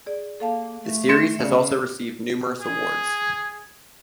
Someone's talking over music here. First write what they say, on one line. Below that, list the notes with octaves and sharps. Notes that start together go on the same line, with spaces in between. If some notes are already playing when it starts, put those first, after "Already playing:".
The series also has received numerous awards.
G#4 D5
A#3 A4 F5 A5
A3
C6 C#7 E7
C#3 D5
G#4